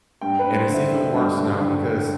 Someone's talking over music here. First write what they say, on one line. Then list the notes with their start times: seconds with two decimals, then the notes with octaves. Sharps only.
And it's even worse now because
0.21 G2 G5
0.39 B4
0.45 G2
0.57 C5
0.69 D3
0.74 E5
0.91 D3 E5
1.14 G2
1.37 G2
1.61 D3